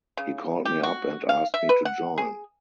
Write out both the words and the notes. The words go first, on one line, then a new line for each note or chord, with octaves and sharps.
He called me up and asked me to join.
C#3
G4
F#4
F5
E5
B4
F#5
G#4